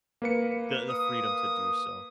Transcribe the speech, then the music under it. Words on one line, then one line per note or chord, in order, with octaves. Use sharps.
the the freedom to do so.
A#3 B4 C#7
D#6